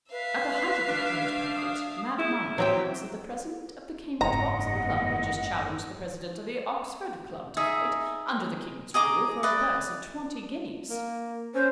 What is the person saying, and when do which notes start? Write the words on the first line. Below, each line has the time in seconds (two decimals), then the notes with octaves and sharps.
At the height of the college banquet Mat Monmouth announced that the president of the Cambridge Boxing Club had just challenged the president of the Oxford Club to fight, under the King's rule, for a purse of twenty guineas.
0.12 B4 E5 F5
0.88 D4
1.56 D#6
2.18 E4
2.58 F#3 C4 G4 G5
4.21 F#1 E2 G#2 D#5 F#5 A#5
7.57 D#4 G#4 E5
8.94 G#4 D#5 A#5 D6
9.43 B4 D5 D#5
10.90 A#3
11.54 C#4 C5